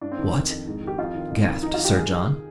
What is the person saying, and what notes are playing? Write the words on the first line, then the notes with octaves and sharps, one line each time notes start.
"What!" gasped Sir John.
G2 D4
C4
D#3 D4
F2
F2
G#2
D#3
G4
F2 F4
D#3
F2
D#3
F2 D#4
F4
D#3
G4
G#4